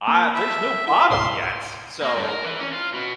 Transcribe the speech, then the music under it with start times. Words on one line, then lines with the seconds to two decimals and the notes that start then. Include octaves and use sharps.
ah, there's no bottom yet, so,
0.08 A#3
0.34 E5 A5 B5
0.86 E4 E5 B6
1.10 C#2 G#2 B2 C6
2.03 A#3
2.17 G2
2.29 A#4
2.45 E3
2.60 C#4
2.73 F4
2.94 B2